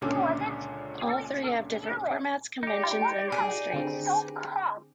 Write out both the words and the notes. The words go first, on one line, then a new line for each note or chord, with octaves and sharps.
All three have different formats, conventions and constraints.
C#2 A#2 D3 C#4 D4 D6
D#4 G4
G#4
D3 C4